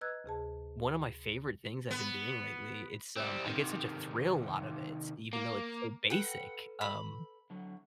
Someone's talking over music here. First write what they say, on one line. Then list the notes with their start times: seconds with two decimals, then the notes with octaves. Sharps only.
one of my favorite things I've been doing lately. It's, um, I get such a thrill out of it even though it's so basic, um
0.01 B4 D#5 A#5 E6 F#6 G#6
0.24 D2 C3 G#4 A5
1.91 B3
3.17 G3 C4
3.46 C3 D#3
5.33 A#3
6.10 A4 B4 F#5 G5
6.81 B5
7.50 D3 F#3